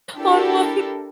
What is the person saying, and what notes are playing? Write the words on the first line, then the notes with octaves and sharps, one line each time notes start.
on one,
D4 E4 G4 A4 A#4